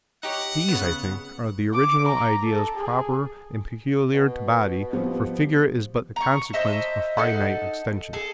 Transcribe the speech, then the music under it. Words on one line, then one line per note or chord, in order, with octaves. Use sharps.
These, I think, are the original ideas proper and peculiar to body; for figure is but the consequence of finite extension.
D#4 G4 C#5 F#5
C#3 B3
D6
A#5
A4
G#4
B2
F3 G3 B3
A#5 C#6
C5 D#5 E5 A5
D#4 A4 F#5
G#4 A4